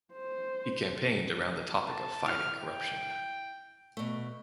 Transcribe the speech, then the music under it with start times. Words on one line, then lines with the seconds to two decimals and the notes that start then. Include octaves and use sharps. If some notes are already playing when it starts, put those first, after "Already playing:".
He campaigned around the topic of fighting corruption.
0.13 C5
1.87 A5
2.26 E4 F6
2.60 G5
3.97 B2 A3